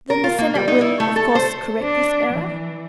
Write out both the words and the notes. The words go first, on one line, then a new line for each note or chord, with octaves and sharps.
"Then the Senate will, of course, correct this error?"
A#4
F4
A#3
G3
D#4
E4
A3
A4
C5
D4
E3